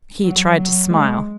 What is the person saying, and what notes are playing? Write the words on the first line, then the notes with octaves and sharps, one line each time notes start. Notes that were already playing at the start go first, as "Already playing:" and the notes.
He tried to smile.
F#3
F#3
G#3